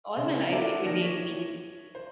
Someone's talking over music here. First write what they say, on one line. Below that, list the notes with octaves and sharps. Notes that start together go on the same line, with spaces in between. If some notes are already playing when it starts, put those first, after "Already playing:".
All my life it may take me!
C#3
E4 F#4 A4 A#4 D5 E5
D#3 F3 A#3 A#6
C#5 B6
C5